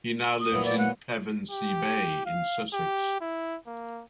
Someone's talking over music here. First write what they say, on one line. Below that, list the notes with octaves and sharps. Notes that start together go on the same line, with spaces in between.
He now lives in Pevensey Bay in Sussex.
D#6
A#2 E3 F#3
D5
F#5
G4
F5
G4
E4
A#3